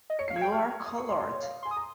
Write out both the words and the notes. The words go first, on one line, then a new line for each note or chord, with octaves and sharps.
You are colored!
D#5
C#5 C#7
F5 C7
G#6
G5
G6
F6
D#6
C#6
C6
C6
C#5
F5
C6
G#5
D#6
A#5